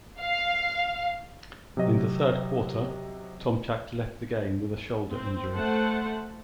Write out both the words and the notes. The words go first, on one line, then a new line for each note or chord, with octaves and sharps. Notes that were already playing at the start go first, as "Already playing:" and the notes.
In the third quarter, Tomczak left the game with a shoulder injury.
F5
C3 F#3 D#5
C4
A3 C5 F#5 A5